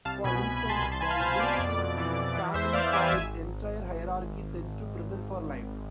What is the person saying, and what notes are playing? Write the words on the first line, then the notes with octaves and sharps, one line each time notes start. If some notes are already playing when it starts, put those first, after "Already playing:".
For instance, the Lucchese family saw its entire hierarchy sent to prison for life.
C2 F5 A5
B2 G#5 B5
B2
G#5 B5
C2
A5 C6
C2 G#5 B5
A5 C6
C2 G#5 B5
F5 A5
B2 C5
B2 D5
F2 D5
F2
E3
E3
E3 D5
E2 C5 E5
E2 D5 F5
E3 E5 G#5
G#1